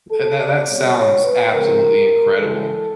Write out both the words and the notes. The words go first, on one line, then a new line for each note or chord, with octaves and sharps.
Eh, that that sounds absolutely incredible.
A4
D5
B2 G3 C4 C#5
C#5
B4
C#3 F3 G#3 C4 A#4
C#3 E3 G#3 A4